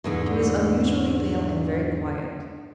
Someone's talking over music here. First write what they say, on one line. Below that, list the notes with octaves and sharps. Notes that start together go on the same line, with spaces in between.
She was unusually pale and very quiet.
E2 G#2 D3